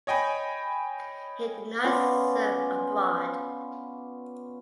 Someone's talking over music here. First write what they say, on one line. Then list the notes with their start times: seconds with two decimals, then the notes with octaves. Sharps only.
He did not serve abroad.
0.07 C#5 D#5 G5 G#5 B5
1.83 B3 C#4 F4 D5